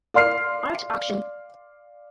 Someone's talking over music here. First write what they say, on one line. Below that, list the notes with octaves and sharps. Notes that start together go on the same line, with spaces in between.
Art Auction.
D5 F5 C6 F6 C7